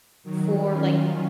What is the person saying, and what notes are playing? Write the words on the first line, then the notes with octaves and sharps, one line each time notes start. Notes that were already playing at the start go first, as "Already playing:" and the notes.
for, like,
D#3 F#3
C#4 F4